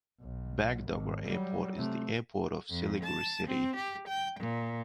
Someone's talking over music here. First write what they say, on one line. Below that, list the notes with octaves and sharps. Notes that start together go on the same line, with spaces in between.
Bagdogra Airport is the airport of Siliguri city.
B1
G#1
F#3 G3
C3 A3
F2
A5
C4
G4
G5
A#2